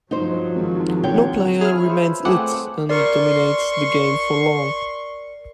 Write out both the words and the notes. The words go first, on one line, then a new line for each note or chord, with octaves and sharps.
No player remains "it" and dominates the game for long.
G2 F3 F#3 D#4 C5
G#1
D3 C#5 G5
E4 G#4 C#5 F6
F3 B4 C5
A3 C4 G#4 F#5 D6
A#4 D5 C6 C#6